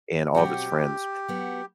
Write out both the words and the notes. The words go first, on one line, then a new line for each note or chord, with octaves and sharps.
and all of his friends?"
B2 F#3 C4 F#4 G4
F#3 B3 F#4